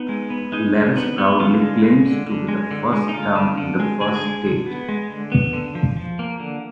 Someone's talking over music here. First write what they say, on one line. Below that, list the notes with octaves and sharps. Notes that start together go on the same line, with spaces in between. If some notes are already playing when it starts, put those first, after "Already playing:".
Lewes proudly claims to be The First Town in The First State.
Already playing: B3 D#4
G#3
B3
G#3 D#4
D3
B3
B3
D3 F4
G#3
G#3
D3
D3
G#3
D3
G#3
D#4
D3 F4
D3
D3
G#3
D3 G#4
F#4
G#4
G#3
D3
B3
G#3
D3
B3
D3
F3
F3
A#3
D3